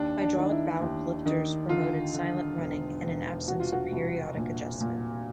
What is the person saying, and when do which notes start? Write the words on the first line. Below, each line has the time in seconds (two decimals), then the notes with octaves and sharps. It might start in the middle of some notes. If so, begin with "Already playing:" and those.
Hydraulic valve lifters promoted silent running and an absence of periodic adjustment.
Already playing: D#2 D4
0.21 D4
0.37 D#3
0.51 E4
0.81 D#2
1.26 D#3
1.69 D3 F4
2.14 D3
2.58 E1
3.03 E1
3.47 C2 F#4
3.60 F4
3.72 F#4
3.92 C2
4.37 A#2
4.81 A#2